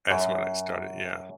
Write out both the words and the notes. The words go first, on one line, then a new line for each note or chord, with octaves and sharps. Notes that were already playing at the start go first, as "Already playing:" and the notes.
as when I started, yeah.
F#2